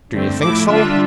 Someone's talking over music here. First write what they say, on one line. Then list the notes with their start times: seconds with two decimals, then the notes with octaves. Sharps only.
"Do you think so?"
0.12 G2 D3 A3 C4
0.41 A2 F3 A3 E4 D6
0.69 D3 G3 D4 F4 E5